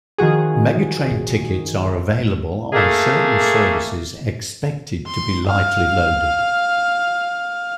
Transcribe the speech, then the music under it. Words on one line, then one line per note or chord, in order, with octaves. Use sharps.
Megatrain tickets are available on certain services expected to be lightly loaded.
D#3 F3 F#4 G#4
A3 A#3 G#4
C6
F5